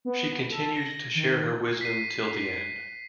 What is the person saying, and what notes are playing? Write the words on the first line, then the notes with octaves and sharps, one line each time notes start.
She continued to share her wisdom till the end.
B3
A4
A#6
D#3
B6 C7 D#7